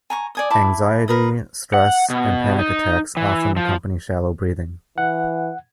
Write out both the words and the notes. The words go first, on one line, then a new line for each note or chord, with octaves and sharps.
Anxiety, stress, and panic attacks often accompany shallow breathing.
G#5 A#5 C#6
D5 G#5 D#6
E4 A5 B5 D6
A#4 B4 D#6
F#5
B2
D#4
E3
F3
E3 F#5